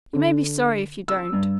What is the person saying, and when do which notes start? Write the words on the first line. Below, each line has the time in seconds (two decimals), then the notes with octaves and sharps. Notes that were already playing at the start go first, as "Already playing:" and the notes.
"You may be sorry if you don't."
0.13 D3
1.08 E6
1.33 G2